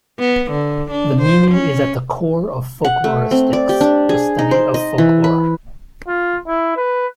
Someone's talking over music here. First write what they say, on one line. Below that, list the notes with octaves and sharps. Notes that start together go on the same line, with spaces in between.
This meaning is at the core of folkloristics, the study of folklore.
B3
D3
D4
C5
C#4
F#5
A3
C4
D5
G4
D4
G#4
D#4
C5
D#5
E3
B4
F4
E4
B4